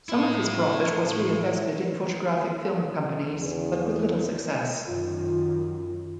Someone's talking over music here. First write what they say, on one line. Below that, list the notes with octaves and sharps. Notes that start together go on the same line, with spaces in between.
Some of his profit was reinvested in photographic film companies but with little success.
E4 A4
E2
F#2 D#3 F4